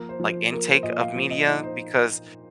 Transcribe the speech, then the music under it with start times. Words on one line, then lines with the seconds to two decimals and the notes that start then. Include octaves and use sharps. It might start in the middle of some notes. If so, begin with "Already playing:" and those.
like intake of media, because
Already playing: F3 A#3 A#4
0.09 C5
0.20 F3
0.30 C5
0.52 A#3 A#4
0.68 C5
0.83 A#2 D#5
0.99 F5
1.15 F3 C5
1.31 D#5
1.48 D#4 D#5
1.63 C5